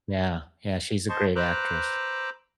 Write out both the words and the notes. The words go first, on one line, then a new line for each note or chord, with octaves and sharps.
Yeah, yeah, she's a great actress.
C5 D#5 A5 C6 C#6
B4 C5 A#5 D6 E6 F#6